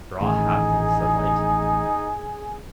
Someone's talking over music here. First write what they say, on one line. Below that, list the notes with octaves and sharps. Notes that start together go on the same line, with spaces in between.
Straw hat in sunlight.
A1 A2 D#3 D#4 G#4